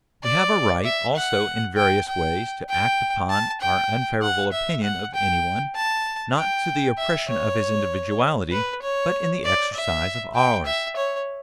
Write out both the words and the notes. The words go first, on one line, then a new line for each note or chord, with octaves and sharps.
We have a right, also, in various ways, to act upon our unfavourable opinion of any one, not to the oppression of his individuality, but in the exercise of ours.
D5
E5
F#5
G5
G5
G5
A5
G5
F#5
E5
F#5
G5
A5
G5
E5
C#5
B4
C#5
D5
E5
G5
E5
C#5